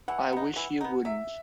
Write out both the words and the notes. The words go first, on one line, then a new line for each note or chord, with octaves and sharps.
I wish you wouldn't.
E3 F#5
B3 D#4
E3
B3 D#4
F#3 E5